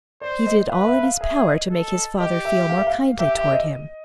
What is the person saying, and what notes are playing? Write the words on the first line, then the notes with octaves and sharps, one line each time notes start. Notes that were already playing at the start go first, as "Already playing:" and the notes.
He did all in his power to make his father feel more kindly toward him.
C5 D5
D#5
B4 F5
E5
F5
G#4 E5
E5
D#5
A4
G4 D#5
E5
F5
E5
F5
G4 E5
E5
E5
D#5